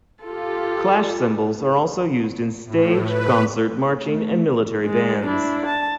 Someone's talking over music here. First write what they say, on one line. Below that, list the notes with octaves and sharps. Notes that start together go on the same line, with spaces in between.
Clash cymbals are also used in stage, concert, marching and military bands.
F4 G4 A4
A2
B4
A3
G#3
D4 E4
A5